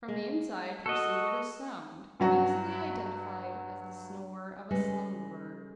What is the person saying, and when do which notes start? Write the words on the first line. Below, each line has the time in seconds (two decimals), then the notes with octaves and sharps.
From the inside proceeded a sound, easily identified as the snore of a slumberer.
0.08 G#3
0.86 F#4 A4 D#5
2.20 G2 F#3 F#4
4.71 C#3 G3 G#3 A4 B4